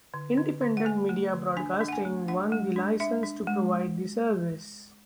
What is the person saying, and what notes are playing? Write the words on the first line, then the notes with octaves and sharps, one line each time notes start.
Independent Media Broadcasting won the licence to provide the service.
D3
D3
D3
F#5
A3 G#5
A3
D3
D4 G#5
D4
F#5
G#5
A3
D4 F#5
G#3
D4
D4 E5
D4
G#3